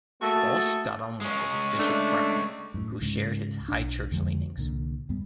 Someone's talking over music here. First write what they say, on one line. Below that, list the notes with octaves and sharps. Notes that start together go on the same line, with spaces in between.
Walsh got on well with Bishop Broughton who shared his High Church leanings.
A3 A#3 F#4 G#4 A5
G#3 C#4
A3 D4
F#2 A2
C#2 G#2 C#3
B1 D4
F2 D3 F3 G#3
C2 A#2 D3
C#2 G2 G3 B3